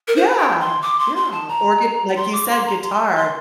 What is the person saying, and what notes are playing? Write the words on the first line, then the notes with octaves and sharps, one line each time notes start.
Yeah, yeah, or gi like, you said, guitar,
A#4
C5
G5
C6
D6
C6
C6
A5
A#5
A#5
C6
D6
C6
A#5
C6
C6